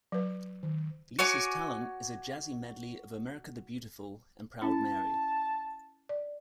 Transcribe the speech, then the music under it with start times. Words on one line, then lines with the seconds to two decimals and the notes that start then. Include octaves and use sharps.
Lisa's talent is a jazzy medley of "America the Beautiful" and "Proud Mary".
0.12 F#3 B4
0.63 D#3
1.19 F#4 C#5 G#5 D6
4.62 C#4 E4 A5
6.09 D5